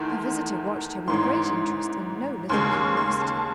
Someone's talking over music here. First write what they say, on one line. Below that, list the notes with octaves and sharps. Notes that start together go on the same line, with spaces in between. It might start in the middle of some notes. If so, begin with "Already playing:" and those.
Her visitor watched her with great interest and no little curiosity.
Already playing: E2 D#3 A3 C6
A1 G#2 E3 C6
D#2 C#3 G#3 C6
C#6
C6
A5